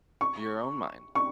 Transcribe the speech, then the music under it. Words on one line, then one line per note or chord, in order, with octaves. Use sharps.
your own mind?
C#6
C#6